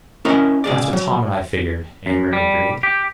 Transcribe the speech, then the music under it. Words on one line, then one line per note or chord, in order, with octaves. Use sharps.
"That's what Tom and I figured," Amory agreed.
C#4 E4 A#4 C#5 D#5
C#2 G#4 D5
F#3
F#2
G3
G4